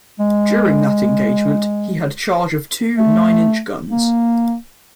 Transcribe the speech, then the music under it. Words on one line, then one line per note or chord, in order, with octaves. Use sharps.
During that engagement he had charge of two nine-inch guns.
G#3
A3
A#3